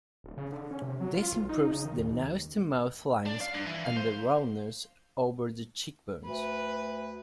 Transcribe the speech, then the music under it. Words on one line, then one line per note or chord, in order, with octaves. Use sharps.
This improves the nose-to-mouth lines and the roundness over the cheekbones.
D1
C#3
D3
C#4
C3
F#3
F4
B1
D#4
C#3
D#3
D#2
D4
F5
G2
E3
F5
C5
D2 B4